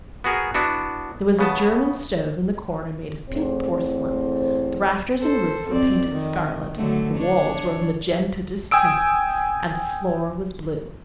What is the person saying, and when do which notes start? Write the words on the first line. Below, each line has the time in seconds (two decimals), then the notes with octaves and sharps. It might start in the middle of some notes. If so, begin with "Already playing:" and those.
There was a German stove in the corner made of pink porcelain, the rafters and roof were painted scarlet, the walls were of magenta distemper and the floor was blue.
0.24 B3 F#4 G#4 A#4
0.54 B3 D4 E4 F#4
1.39 C#3 B3 A5
3.30 E2 A2 C4 C5
5.20 A4 C5
5.68 F2 C4 D5
6.09 D#3
6.76 D3 F#3 A3
7.17 D4 C#5
8.71 G5 G#5 D#6 E6 D7